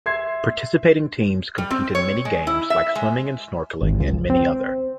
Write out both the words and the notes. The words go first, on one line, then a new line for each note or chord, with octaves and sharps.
Participating teams compete in many games like swimming and snorkeling and many other.
E5 C6 G#6 C7
G3
C4
C#5
G#3
E4
E5
G#3
G#1
C#2
C4